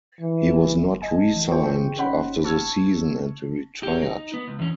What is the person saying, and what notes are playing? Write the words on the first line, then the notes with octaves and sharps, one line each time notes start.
He was not re-signed after the season and retired.
E3
D#5 G#5 A5
E3
F4 G4 G#4 C5 G5 C#6
C#4 D#4 C5 F#5 B5
A5 C#6 E6 F6 G#6
G4 C#5
D#4
B3
C#2
E2 C#4